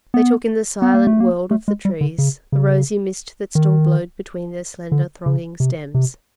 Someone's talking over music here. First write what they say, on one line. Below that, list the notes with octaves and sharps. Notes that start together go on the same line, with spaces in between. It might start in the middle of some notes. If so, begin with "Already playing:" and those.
They took in the silent world of the trees, the rosy mist that still glowed between their slender, thronging stems.
B3
B3
A#3
A3
A#3
A3
G#3
G3
D3
C#3
C#3
D#3
D3
C#3
C3
C3